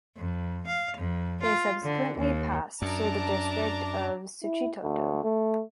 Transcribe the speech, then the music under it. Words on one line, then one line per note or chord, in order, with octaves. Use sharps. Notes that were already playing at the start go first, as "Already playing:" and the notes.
They subsequently passed to the district of Suchitoto.
F2
F5
F2
F4
D3
D#2
F#2 D4 A5 A#5 D6
E4
D2
A3